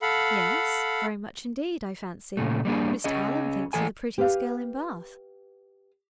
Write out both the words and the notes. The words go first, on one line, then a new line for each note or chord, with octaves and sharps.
"Yes, very much indeed, I fancy; Mr. Allen thinks her the prettiest girl in Bath."
A4 F5 F#5 B5
A#2 C#3 A3
G3 A#3 D4 G#4
C#4 G#4 D#5
E3 A4 G#5
G4 B4 F5